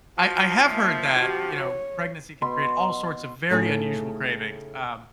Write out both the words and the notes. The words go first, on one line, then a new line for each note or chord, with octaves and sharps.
I I have heard that, you know, pregnancy can create all sorts of very unusual cravings, um,
F3 F#4
A#3 E5
F#4 G4
C#5
B2 B5 C6
A2 C#3 A3 D#4 G#4